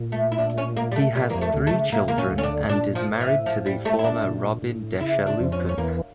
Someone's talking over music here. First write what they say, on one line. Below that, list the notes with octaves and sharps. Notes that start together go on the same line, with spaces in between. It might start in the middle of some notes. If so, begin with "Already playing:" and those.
He has three children and is married to the former Robin Desha Lucas.
Already playing: A#2
A3
E4
D4
C#4
A#3
G3
A3
A#2 G3
F2 E3 F3 A#3
A3
D2 D3
A3
C#3
A#2 A#3
C#3 A#3
A#2 C#4
D2 D3
C#4
D4
A#2 D4
F3
A2
E3
F3
G3
A3
E4
D4
A#2
A2
C#3 E4
D4
F2 F3
C#4
C#4
E2 E3 A#3